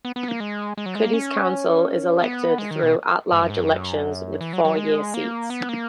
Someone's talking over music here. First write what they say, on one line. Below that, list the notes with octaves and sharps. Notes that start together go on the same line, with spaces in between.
Cudahy's council is elected through at-large elections with four-year seats.
B3
B3
A#3
G#3
G#3
F#3
G#3
A#3
C#4
B3
G#3
D#3
B2
G#2
F#2
G#2
F#2
E3
F#3
F#3
G#3
A#3
B3
A#3